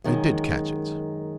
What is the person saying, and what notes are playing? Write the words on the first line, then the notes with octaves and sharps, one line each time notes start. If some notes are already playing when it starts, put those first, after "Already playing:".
I did catch it.
F#2 D#3 G#3